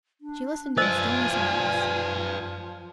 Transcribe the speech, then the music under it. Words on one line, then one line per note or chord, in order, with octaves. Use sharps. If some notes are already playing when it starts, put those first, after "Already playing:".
She listened in stony silence.
D4
F3 B4 C5 D5 D#5 G#5 E6